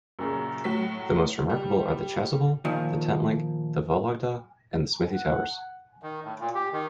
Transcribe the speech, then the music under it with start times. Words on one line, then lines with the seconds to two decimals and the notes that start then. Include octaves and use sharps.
The most remarkable are the Chasuble, the Tent-like, the Vologda, and the Smithy towers.
0.19 F#2 A#2 C#3
0.64 A2 F#3 B6
1.50 G3
2.65 A#2 D#3 F3
5.11 F#5
6.03 D#3
6.24 A2
6.40 A#2
6.55 G4
6.72 D#3